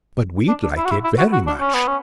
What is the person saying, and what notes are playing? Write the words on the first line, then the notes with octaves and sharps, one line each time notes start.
But we'd like it very much.
D4
D4
E4
F#4
E4
E4
F#4
F#4
D4
C#4
B3
C#4